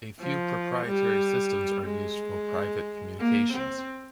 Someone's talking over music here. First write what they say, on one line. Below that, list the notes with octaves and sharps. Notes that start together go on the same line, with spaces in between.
A few proprietary systems are used for private communications.
F3
G3
G#3
A#3
C4